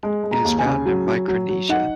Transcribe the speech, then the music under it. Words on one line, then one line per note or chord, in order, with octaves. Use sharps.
It is found in Micronesia.
G#3
G#3
A#5
D#2
G#5
C#3
F#3
F#3
F#3
F#3
D#4 F#5